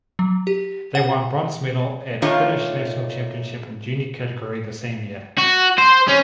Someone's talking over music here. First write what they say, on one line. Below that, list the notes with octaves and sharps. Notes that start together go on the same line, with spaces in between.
They won bronze medal at Finnish National Championship in junior category the same year.
F#3
G4
F#5
D#3 A3 A#3 D4 F4 C#5
F#4
C5
C#4